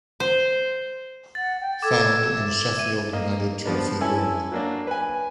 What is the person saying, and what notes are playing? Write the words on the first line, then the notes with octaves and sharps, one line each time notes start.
Found in Sheffield United Trophy Room.
C5
F#5 A6
G5
A4 D6 G#6
E5
D#7
A#3 D#5
F3 B3 D4
C#4 E4 A4 G#5
F#3 A#3 D4
B4 G#5